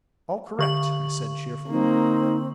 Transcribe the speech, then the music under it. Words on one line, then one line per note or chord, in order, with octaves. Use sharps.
"All correct," I said cheerfully.
D3 C#6 F#7
A#3 C4 D#4